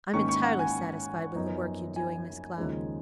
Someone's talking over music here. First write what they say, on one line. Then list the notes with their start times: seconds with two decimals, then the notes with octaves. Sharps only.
I'm entirely satisfied with the work you're doing, Miss Cloud.
0.13 G#2 D#3 A#3 C#4 C#6
0.29 C#6
0.44 F#5
0.59 G#5
1.35 F#2 F3 B3 D#4
1.96 G#5
2.57 D#2 C#3 F3 G#3 D#4